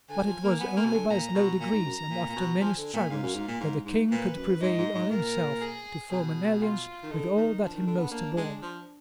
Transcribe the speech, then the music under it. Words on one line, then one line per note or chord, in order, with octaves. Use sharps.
But it was only by slow degrees and after many struggles that the King could prevail on himself to form an alliance with all that he most abhorred.
D3 G#5
F3
A#3
B3 G#5
A#3
B2
D3
A#2 A#5
B2
A#2 A#5
G#2
F#2
A#2
A#2
B2
F3 G#5
D3
A#2
G#2 F5
F#2
G#2
A#2
G#2
G#2
A#2 B4
F#2
G#2 D#5
G#2
G#2
A#2 A#4
G#4
B2 G#4
F4
D#3
D3 D#4
D#3
F3 D4
D#3
D3
B3
A#3 D4
G#3
F3